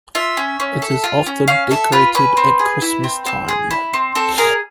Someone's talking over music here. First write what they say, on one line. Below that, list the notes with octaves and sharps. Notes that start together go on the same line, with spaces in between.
It is often decorated at Christmas time.
F4 E5
C#4
C#4
A4
F4
C#4
C#4 F5
A4 E5
F4 B4
C#4 B4
C4
G#4
E4
C4
C4
G#4
E4
C4
C4 A4
G#4 A#4